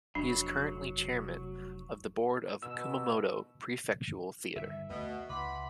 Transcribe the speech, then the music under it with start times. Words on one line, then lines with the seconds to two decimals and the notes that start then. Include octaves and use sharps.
He is currently Chairman of the Board of Kumamoto Prefectural Theatre.
0.15 F1 F#3 D4
2.62 B2 E6
4.56 G1 D#3 E5
4.89 D2 B2 A3 B4
5.29 C#2 E3 F#5 B5 C6 D6